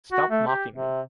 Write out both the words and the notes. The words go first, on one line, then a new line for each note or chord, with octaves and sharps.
Stop mocking me.
F#4
A3
G4
C3